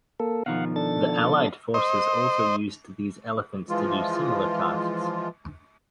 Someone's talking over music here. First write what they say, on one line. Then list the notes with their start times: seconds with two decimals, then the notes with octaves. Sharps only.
The Allied forces also used these elephants to do similar tasks.
0.20 A#3 A4
0.46 B2 D#3 F3 F5 F#5
0.76 D4 A4 A6
1.74 C5 D#5
3.69 E3 F3 G#3 F4